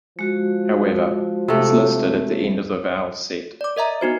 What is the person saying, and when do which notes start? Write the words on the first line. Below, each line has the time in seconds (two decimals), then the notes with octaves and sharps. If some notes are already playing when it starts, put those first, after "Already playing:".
However, it is listed at the end of the vowel set.
0.19 F3 G#3 F#4
1.48 C3 A3
3.61 D5 D6
3.76 A#4 D#5 E5 A#5
4.01 B3 D#4 F#4 C5